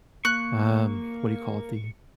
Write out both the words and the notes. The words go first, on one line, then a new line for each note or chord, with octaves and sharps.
um, what do you call it? The
A#3 C#6 F#6